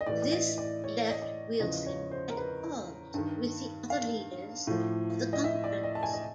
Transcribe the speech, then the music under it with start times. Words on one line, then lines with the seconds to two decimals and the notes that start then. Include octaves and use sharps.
This left Wilson at odds with the other leaders of the conference.
0.01 D#5
0.06 A2 E3 D5
0.22 D5
0.32 D#5
0.58 D5
0.84 C#5
1.10 D#5
1.22 D5
1.60 E2 C#3 F3 D#5
1.86 C#5
2.11 C5
2.30 A#4
2.37 B4
3.14 G2 D#3
3.90 F5
4.67 A2 F3
5.33 D#5
5.44 E5
5.64 D5
5.84 D#5
5.95 A5
6.03 G#5
6.13 D#5